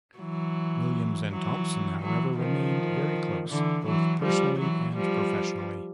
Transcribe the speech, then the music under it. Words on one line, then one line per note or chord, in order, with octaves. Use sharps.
Williams and Thompson, however, remained very close, both personally and professionally.
E3 F#3
E3 F#3
E3 F#3
D#3 F3
D3 E3
E3 F#3
F3 G3
E3 F#3
F3 G3